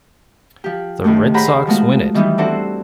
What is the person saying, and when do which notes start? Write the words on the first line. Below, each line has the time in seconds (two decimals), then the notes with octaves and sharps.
The Red Sox win it!
0.64 F3 G4
1.04 D#2 A2 A3
1.34 G4 G#4 C5 F#5 A#5 B5
1.67 F3 G#3 A3 B3 F#4
2.14 D#3 E3 G3 B3 D#4
2.38 C4 D4 E4 F#4 A4 C5